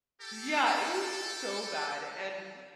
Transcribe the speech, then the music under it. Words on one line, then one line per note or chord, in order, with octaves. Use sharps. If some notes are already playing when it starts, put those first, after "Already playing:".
Yeah, it was so bad, and,
G4 A4